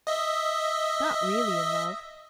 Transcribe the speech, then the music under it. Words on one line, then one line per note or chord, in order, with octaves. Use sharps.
Not really in love.
D#5 E5